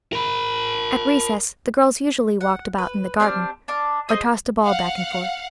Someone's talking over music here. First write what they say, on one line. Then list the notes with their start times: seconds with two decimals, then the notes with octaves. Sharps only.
At recess the girls usually walked about in the garden, or tossed a ball back and forth.
0.13 A#4 B5
2.41 F#5
2.78 B4
3.20 C4 D4 G4 F6
3.68 D4 A5 D6 F6
4.09 G#4 C5 D#5
4.64 F5 F#5